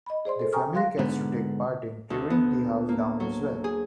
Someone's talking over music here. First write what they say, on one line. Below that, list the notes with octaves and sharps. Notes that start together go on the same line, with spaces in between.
The family gets to take part in tearing the house down as well.
D#5 B5
G#4 C5 D5 C6
A4 A#4 C5
G5 G#5 A#5 C#6 D#6 F6
F3 G3 F5 C6 F#6 A#6
G#2 D3 B3
D2
B3
A#3
F#3
G#4